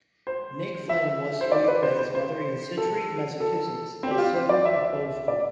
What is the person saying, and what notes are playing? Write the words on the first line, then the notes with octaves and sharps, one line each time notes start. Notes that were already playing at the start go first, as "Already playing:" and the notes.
Nick Flynn was raised by his mother in Scituate, Massachusetts, a suburb of Boston.
C5
E5
C5
D5
B4
C5
C5
C5
A4
A4
C4
G4
F4
C5
D5
E5
D5